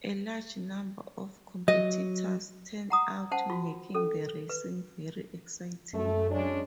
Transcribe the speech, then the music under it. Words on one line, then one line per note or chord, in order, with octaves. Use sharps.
A large number of competitors turned out, making the racing very exciting.
F#3 D#5
F#5 A#5 D#6
C#4 C5 F#5 A5
F4 F#4
C#4 A4
B4
F#2 A3
G#3 C#4 D4